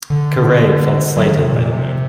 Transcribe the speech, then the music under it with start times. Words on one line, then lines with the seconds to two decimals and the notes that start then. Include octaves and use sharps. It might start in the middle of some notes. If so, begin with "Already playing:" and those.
Caray felt slighted by the move.
0.10 D3
1.17 F#3
1.26 D#3
1.39 C3
1.52 A#2
1.72 C3